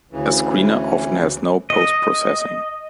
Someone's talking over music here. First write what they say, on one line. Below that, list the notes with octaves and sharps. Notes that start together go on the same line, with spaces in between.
A screener often has no post-processing.
D2 C#3 E3
D#5